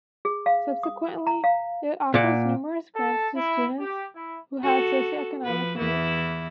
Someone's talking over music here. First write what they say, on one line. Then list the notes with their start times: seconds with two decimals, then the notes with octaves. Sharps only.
Subsequently, it offers numerous grants to students who have socio-economic needs.
0.25 G#4
0.46 F5
0.83 D#6
1.27 A#5
1.44 F5
2.14 A#2 A#3 D5 F#5
2.95 A4
3.35 E4
3.80 G4
4.15 E4
4.63 F#4 A4
5.44 F3 B4
5.77 E2 E3 E4